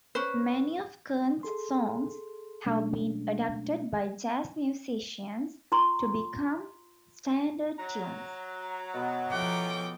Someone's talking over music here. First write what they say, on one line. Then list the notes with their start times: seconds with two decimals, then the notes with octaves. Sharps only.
Many of Kern's songs have been adapted by jazz musicians to become standard tunes.
0.15 C#4 B4 C5
1.43 G#4 A4 C6
2.66 B2 F#3 G#3 A3 C#4 D4
5.72 F4 A#5 C6 C#6
7.78 F#3 A#5
8.94 B2 B3
9.32 E2 F3 A3 C#4 F#5 G5 D6